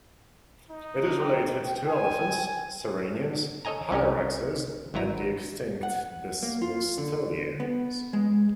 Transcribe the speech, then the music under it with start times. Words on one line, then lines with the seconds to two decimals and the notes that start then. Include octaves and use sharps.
It is related to elephants, sirenians, hyraxes and the extinct desmostylians.
0.70 D#4
1.19 G5
1.88 G#5
3.65 A4 C#5 D#5 G#5 A#5
3.91 C2 C#4 D#4 G4 A#4
4.94 G#1 F#3 E4 A#5
5.83 F#5
6.43 A#3
6.62 F4
6.98 D3
7.60 B3
8.13 G#3